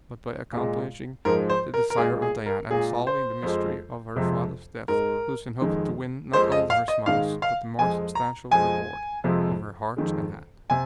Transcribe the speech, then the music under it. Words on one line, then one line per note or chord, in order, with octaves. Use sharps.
But by accomplishing the desire of Diana, and solving the mystery of her father's death, Lucian hoped to win not only her smiles but the more substantial reward of her heart and hand.
A#2 G#3
G#2 F3 G#3 A#4
C5
A#4
A#4
A#2 G#3 G#4
G#4
A#4
A#2 G#3 G#4
C5
F2 F3 G#3
F2 C3 F3 G#3
G#2 G#3 A#4
F2 D#3 G#3
F2 F3 G#3 C5
D#5
F5
D#5
G#2 D#3 G#3 F5
F5
F2 F3 G#3 G#5
A#5
F2 F3 G#3 G#5
F2 C3 F3 G#3
F2 D#3 G#3
C3 G#5